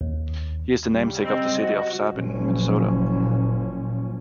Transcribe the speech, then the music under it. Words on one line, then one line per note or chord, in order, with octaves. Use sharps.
He is the namesake of the city of Sabin, Minnesota.
D#2
C#3 G3
C4 D#5
F#4
F#1 A#2 F3 C#4